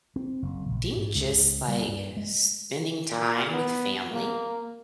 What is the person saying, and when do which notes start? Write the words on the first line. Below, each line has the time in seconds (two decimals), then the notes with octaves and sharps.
think just, like, spending time with family,
0.16 C4
0.42 F#1
0.69 A#1
0.97 G#2
1.15 C#2
1.68 G3
1.88 G2
2.17 G#3
3.11 A#2
3.52 B3
4.12 A#3